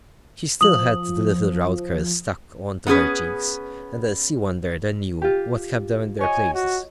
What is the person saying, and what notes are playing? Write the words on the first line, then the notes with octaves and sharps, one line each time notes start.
She still had the little round curls stuck on to her cheeks, and Elsie wondered anew what kept them in their places.
F3 D#6 F#7
B3 C#4 G#4 B4
F4 G4
C#5 D#5 G#5
F#4